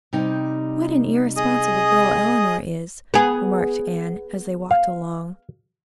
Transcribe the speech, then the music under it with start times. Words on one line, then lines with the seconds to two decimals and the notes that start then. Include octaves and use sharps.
"What an irresponsible girl Eleanor is," remarked Anne, as they walked along.
0.13 C3 G3 D#4
1.37 G#4 D#5 D#6
3.14 B3 G#4
4.71 F5